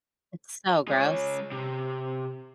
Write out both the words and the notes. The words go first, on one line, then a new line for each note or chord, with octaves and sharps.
It's so gross,
G#3 C#5
C3